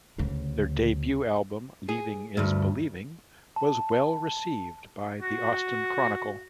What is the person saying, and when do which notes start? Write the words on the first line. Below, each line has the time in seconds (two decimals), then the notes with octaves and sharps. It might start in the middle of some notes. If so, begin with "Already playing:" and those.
Their debut album "Leaving Is Believing" was well received by the Austin Chronicle.
0.18 D2 C#3
1.89 G#4
2.37 D2 G2
3.56 A5
5.22 F#4